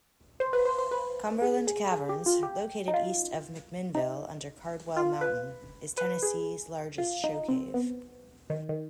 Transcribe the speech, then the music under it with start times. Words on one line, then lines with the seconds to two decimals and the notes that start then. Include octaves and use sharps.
Cumberland Caverns, located east of McMinnville under Cardwell Mountain, is Tennessee's largest show cave.
0.40 C5
0.53 B4
0.65 C5
0.78 C5
0.91 B4
1.42 G#4
1.67 G#4
1.92 G#4
2.09 G4
2.26 F4
2.43 G4
2.88 D#4
2.94 F4
3.95 D#4
4.97 F4
5.21 B4
5.98 B4
6.23 G#4
6.98 F4
7.24 D#4
7.48 C4
7.74 B3
8.50 D#3
8.69 D#3